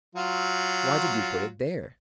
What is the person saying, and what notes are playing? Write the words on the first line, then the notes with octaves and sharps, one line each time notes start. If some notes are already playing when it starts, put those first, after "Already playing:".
Why did you put it there?
F#3 F4